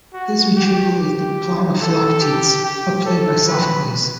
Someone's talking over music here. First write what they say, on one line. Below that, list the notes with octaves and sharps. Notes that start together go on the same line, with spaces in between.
This retrieval is the plot of "Philoctetes", a play by Sophocles.
F#4
G4
G4
A4
G4
G4
A4
B4